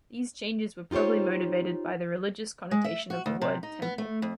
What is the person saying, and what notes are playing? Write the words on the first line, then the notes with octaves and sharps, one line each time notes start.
These changes were probably motivated by the religious connotation of the word "temple".
D#4 F4 G4 C5 C#5
G#3
E5
F#4
D2
C3
D#4
B3
A3
F2